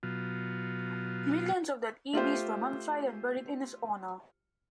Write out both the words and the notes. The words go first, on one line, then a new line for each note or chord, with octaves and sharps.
Millions of dead ibis were mummified and buried in his honour.
B2 F#3 F4
A3 F4 G4 C5